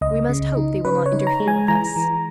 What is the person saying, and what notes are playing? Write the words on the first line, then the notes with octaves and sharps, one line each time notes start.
"We must hope they will not interfere with us."
C#2 D#5
C#3
D#4
C#3 B4
C#5
D#4
A#5
G#3
G#5
E3 A#5
E3